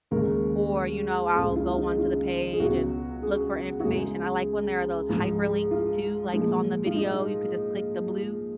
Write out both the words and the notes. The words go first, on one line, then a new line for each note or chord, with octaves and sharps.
or, you know, I'll go on to the page and look for information. I like when there are those hyperlinks too, like, on the video. You could just click the blue,
D#2 C#3 G#3 A#4
C#2 C#3 G#3 G#4
F4
F4
D#4
F4
G#4
C#2 B2 F#3 F#4
G#4
F#4
F#2 C#3 G#3 G#4
G#2 F3 G#3
F4
A#2 F3 G#3
F4
D#4